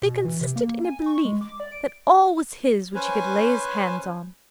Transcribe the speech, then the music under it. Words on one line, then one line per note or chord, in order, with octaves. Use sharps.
They consisted in a belief that all was his which he could lay his hands on.
B2
E3
C3
A#3
G#5
C#6
G#3
D6
D5
D7
C#4 B4 C5 G#5